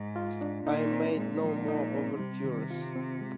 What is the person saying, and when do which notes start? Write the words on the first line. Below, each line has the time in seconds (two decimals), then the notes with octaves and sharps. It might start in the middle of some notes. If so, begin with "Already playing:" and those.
I made no more overtures.
Already playing: G#2
0.16 F4
0.41 D4
0.66 A#2 D#4
0.92 C4
1.17 A#2 G#3
1.44 F3
1.68 D#4
1.94 C4
2.19 C3 G3
2.44 D#3
2.71 F4
2.96 C4
3.21 G#3